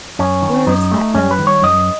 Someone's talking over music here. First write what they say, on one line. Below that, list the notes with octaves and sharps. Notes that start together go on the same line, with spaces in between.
Where is that bell ringing?
F#2 C#4
D#3
F#2 D#4
A3
F#2 C#4
B4
D#3
C#5
F#2 D#5